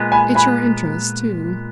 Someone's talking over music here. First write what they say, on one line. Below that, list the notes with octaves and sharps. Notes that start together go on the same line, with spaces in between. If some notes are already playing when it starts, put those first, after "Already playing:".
"It's your interest, too."
Already playing: A#2 G#3 B3
G#5 B5
G#5 B5